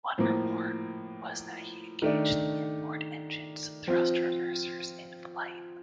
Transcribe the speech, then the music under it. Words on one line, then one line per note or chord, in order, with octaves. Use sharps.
One report was that he engaged the inboard engines' thrust-reversers in flight.
A2 F3 A#3
D#3 A3 D4
F3 C4 F4